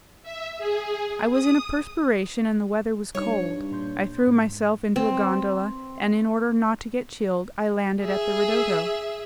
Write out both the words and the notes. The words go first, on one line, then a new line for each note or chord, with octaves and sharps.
I was in a perspiration, and the weather was cold; I threw myself into a gondola, and in order not to get chilled I landed at the 'ridotto'.
E5
G#4
D#6
G2 G3 D#4 C#5
A#2 C6 G6
G#2
C4
G#4 E5